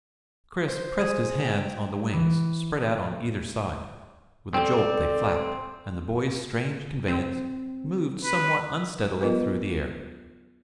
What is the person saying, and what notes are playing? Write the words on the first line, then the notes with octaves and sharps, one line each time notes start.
Chris pressed his hands on the wings spread out on either side, with a jolt they flapped, and the boy's strange conveyance moved somewhat unsteadily through the air.
C5
G#4
G5
E3
C4 A4 D5 G5
C4
B4
F#3 B3 F4 A#4 B4